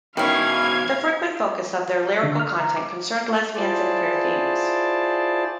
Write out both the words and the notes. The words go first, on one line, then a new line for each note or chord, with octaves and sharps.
The frequent focus of their lyrical content concerned lesbian and queer themes.
B2 D#3 E3 C#4 E4 F5 G#6
D3
F6
A#5
D6
E4 F4 G#4 C5 D5 A5